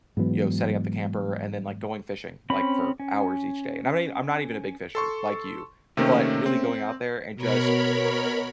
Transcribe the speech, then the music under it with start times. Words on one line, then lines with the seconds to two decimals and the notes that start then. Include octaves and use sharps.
you know, setting up the camper and then like going fishing, like, for hours each day and I'm not e I'm not even a big fisher, like you, but really going out there and just
0.17 G#2 E3 F#3 B3
2.50 C4 C#4 B5
3.00 C#4
4.95 A4 C6 C#6
5.97 C3 D#3 A3 A#3 C4 C#4
6.46 C4
7.35 B2 A#4 C#5 B5